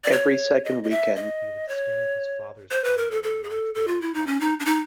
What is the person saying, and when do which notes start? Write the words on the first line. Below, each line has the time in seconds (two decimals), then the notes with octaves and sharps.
Every second weekend he would stay at his father's condo in Montreal proper.
0.04 D5
0.12 C#5
0.65 D#5
0.84 D#5
0.90 E5
1.16 D#5
1.68 C#5
2.71 C5
2.84 B4
2.98 A#4
3.11 A4
3.23 A4
3.44 G#4
3.50 A4
3.75 A4
3.88 F4
4.01 E4
4.14 D#4
4.27 C#4
4.40 D#4
4.60 D4
4.65 D#4